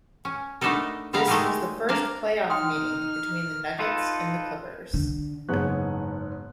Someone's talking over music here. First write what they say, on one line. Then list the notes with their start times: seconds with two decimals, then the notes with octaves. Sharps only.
This was the first playoff meeting between the Nuggets and the Clippers.
0.25 C#4
0.61 A3 B3 D4 D#4 A4 A#4
1.13 D3 G3 B3 F5 A#5
1.27 G#3 A3 D#4 G4 G#4 A#4
1.89 A#3 D4 A#4 F5
2.50 D#4 G5 C6 D#6 F6
3.79 D#4 F4 A4 B4
4.94 D3
5.49 F#1 G#2 B3 G#4 C#5 F#6